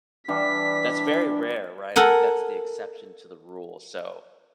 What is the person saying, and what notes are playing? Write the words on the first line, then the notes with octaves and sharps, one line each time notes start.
that's very rare, right? I think that's the exception to the rule. So
E3 G3 D4 B6
A4 A#4 F#5 G#5